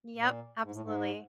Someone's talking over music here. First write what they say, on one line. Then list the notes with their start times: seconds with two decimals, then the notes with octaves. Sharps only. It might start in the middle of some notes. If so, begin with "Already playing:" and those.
Yep, absolutely.
0.15 A#2
0.62 G#2
0.71 A2
0.81 G#2